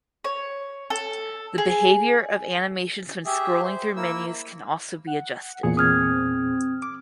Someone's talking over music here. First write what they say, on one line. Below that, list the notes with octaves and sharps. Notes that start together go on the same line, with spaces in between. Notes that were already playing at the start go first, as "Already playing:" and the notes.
The behavior of animations when scrolling through menus can also be adjusted.
C#5
A4
G#4
G4 G#4 E5
C5
A#3 E4 E6
F#5
E2 A#2 G#4 C#7
C4 D#6 F6 G#6
D6